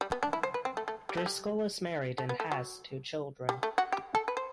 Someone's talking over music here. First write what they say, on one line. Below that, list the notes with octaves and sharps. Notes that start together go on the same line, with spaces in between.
Driscoll is married and has two children.
G3
B3
D4
E4
C5
B4
C4
A3
A3
G3
A3
G3
A3
B3
A3
F#3
G3
A3
F#4
G4
A4
B4
C5